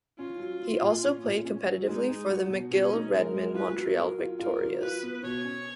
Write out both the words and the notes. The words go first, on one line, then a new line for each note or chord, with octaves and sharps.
He also played competitively for the McGill Redmen and Montreal Victorias.
C#4 F4
F#3
F#3
A#2
C#4
A#2
C#4
F#3
G#3 D#4
G#3
F#4
B2
B2 C#4
D#4
G#3 A#4
G#3
F4 B4
F#3
A#4
F#3
F4
F4 A#4
F#3
F4 B4
B3
B2 C#5
C#4